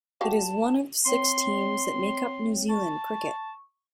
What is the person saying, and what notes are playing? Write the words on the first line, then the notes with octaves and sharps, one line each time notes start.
It is one of six teams that make up New Zealand Cricket.
F#4 G4 F5 A5
C4 C#5 G5 C6
A5 C#6